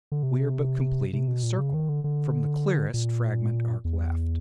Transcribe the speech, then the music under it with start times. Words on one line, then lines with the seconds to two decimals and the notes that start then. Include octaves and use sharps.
We are but completing the circle from the clearest fragment-arc left.
0.12 D3
0.23 C3
1.13 C3
1.28 B2
1.43 A#2
1.58 C#3
1.74 D#3
1.89 D3
2.04 D3
2.94 A#2
3.85 E2